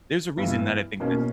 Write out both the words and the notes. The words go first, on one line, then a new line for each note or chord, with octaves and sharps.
There's a reason that I think this.
G2 E3 B3 E4
B2 A#3 C#4